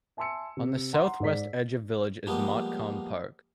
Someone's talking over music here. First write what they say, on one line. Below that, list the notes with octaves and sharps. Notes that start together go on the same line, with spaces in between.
On the south-west edge of the village is Motcombe Park.
E5 G#5 A5 C6 E6 C#7
C3
F#5 A#5 C6
G#2 G#4 D5 B6
F3 G3 G#3 A#3 B3